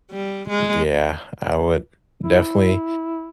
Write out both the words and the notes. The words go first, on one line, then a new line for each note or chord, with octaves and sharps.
Yeah, I would definitely
G3
G#3
E4